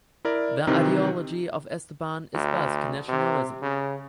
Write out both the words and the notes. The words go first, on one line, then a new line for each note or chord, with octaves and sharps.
The ideology of Esteban is Basque nationalism.
E4 A#4 D5
C3 D#3 E3 C4 D#4
D2
C3
C#3